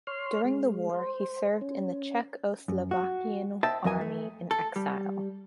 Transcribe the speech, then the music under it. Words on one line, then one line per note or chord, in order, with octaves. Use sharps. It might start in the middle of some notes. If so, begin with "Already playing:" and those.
During the war he served in the Czechoslovakian army in exile.
C#5 C6 F6
G#3
C5
C#4
F#2
F#4
C5 D#5 E5 G5 A5
F2 F#3 A#4 D#5 G#5
A3
A4
G3